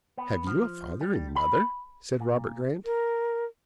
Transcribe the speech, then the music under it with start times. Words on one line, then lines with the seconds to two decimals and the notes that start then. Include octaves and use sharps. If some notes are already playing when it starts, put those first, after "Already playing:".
"Have you a father and mother?" said Robert Grant.
0.18 B3
0.47 F3
1.01 G3
1.36 B5
2.20 A#2
2.85 A#4